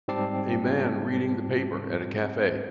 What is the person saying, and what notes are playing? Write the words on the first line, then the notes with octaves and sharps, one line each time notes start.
A man reading the paper at a cafe.
G#2 G3 C4 A5 D6 C7